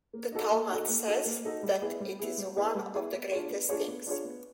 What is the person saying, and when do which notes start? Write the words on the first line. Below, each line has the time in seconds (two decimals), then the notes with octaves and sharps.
The Talmud says that it is one of the greatest things.
0.13 A#3
0.32 D#4 F#4 A4
0.51 A#3
0.70 D#4 F#4 A4
0.88 A#3
1.07 D#4 F#4 A4
1.25 A#3
1.45 D#4 F#4 A4
1.63 G3
1.82 B3 E4 G#4
2.00 G3
2.19 B3 E4 G#4
2.38 G3
2.57 B3 E4 G#4
2.75 G3
2.94 B3 E4 G#4
3.13 B3
3.31 D4 F4 G#4 C#5
3.50 B3
3.69 D4 F4 G#4 C#5
3.87 B3
4.06 D4 F4 G#4 C#5
4.25 B3